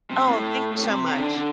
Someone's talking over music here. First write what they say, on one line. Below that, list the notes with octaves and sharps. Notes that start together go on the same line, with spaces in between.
Oh, thank you so much.
C3
A2
A2
C3
C3
D3
D3